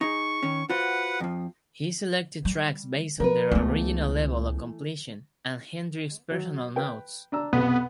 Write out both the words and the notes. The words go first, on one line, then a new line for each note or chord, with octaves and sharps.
He selected tracks based on their original level of completion and Hendrix's personal notes.
D#4 G#4 C#6
D#3 C#4
F4 F#4 B4 C5 F#5
F2 F3
G3
F3 A#4 B4
C#2 E3 A3 B3
F#3
B4 G5
D4 A#5 E6
B1 F2 C3 B3